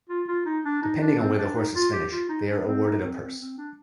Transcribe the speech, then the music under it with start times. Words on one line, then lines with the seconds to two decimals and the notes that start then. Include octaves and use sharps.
Depending on where the horses finish, they are awarded a purse.
0.09 F4
0.28 F4
0.46 D#4
0.65 D4
0.82 D#4
1.02 D4
1.19 C4
1.38 D4
1.56 D#4
1.75 F4
1.93 G4
2.11 F4
2.29 D#4
2.48 D4
2.67 C4
2.85 D#4
3.04 C4
3.22 C4
3.40 C4
3.58 D4